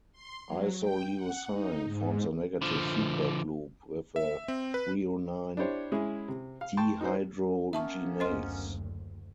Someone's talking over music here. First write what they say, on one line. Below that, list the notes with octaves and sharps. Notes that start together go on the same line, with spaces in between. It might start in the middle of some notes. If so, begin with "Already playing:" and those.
Isoleucine forms a negative feedback loop with threonine dehydrogenase.
C6
F#3
G5
F#5
D#4
G#2
D3 F3
E5
C4
B4
D4 E4 G4 C5 C#5
G#3 C#4 E4 G#4
C3
F5
G5 A5 C6 C#6
D#4 F#4 B4 C5
A#3 B3 C#4 E5 A5 C#6
F#1 D2 C5 D#5 C6